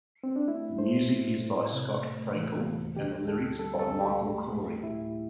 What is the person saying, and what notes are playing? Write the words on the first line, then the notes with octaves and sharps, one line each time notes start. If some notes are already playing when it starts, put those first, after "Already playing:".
The music is by Scott Frankel and the lyrics by Michael Korie.
C4
D4
A3 E4
A3 C5
A2
A2
C3
A3
E3
D2
D3 G4
D2 A4
G3 A4
A4
D2
G4
A3
A3
A2 E4